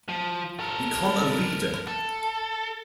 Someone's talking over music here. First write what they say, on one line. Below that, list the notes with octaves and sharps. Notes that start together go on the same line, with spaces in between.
Become a leader!
F3
A4 A#4
A4